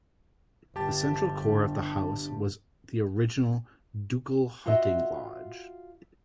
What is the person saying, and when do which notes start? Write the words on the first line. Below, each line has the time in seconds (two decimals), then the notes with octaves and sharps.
The central core of the house was the original ducal hunting lodge.
0.76 G1 G4 A5 A6
1.49 D4
4.66 F4 F#4 D#5 E5